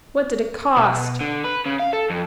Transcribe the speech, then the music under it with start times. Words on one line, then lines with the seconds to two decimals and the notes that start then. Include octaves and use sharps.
"What did it cost?"
0.77 B2
1.20 D3
1.44 B4
1.66 C#3
1.79 F5
1.93 A4
2.10 F2